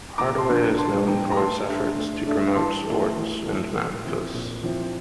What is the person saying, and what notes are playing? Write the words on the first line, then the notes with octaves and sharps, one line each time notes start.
Hardaway is also known for his efforts to promote sports in Memphis.
A#2 A#5 D6
A5 C6
F3 A#3 D4
A#2 A5 C6
F3 A#3 D4 G5 A#5
A#5
A3 A5 C6
D4 A4 E5
A3
D4 A4 E5
E3 A5 C6
A3 E4 A4
E3
A3 E4 A4
A#2
F3 C4 E4
A#2
F3 C4 E4